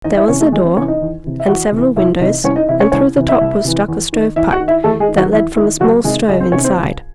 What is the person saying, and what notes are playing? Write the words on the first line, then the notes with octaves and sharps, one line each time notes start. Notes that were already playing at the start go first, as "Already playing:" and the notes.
There was a door, and several windows, and through the top was stuck a stovepipe that led from a small stove inside.
E2 D#4 D#5
E4 E5
C3 E3 C#4 C#5
A3 A4
E2 G#3 G#4
C4 C5
C3 E3 C#4 C#5
D#4 D#5
E2
C3 E3
E5
E2 F#4 F#5
C3 E3
C2 E4 E5
C3 E3 D#4 D#5
C2 C#4 C#5
D#4 D#5
C3 E3 E4 E5
C#4 C#5
C2 C#4 C#5
C3 E3
E4 E5
C2
C3 E3
E2
D#3
E2 E4 E5
F#4 F#5
D#3
E4 E5
E2 A3 A4
G#3 G#4
D#3
F#3 F#4
E2 E4
D#3 E4
C#2 F#3 F#4
C3 D#3 G#3 G#4
C#2 G#3 G#4
C4 C5
C3 D#3 C#4 C#5
C4 C5
C#2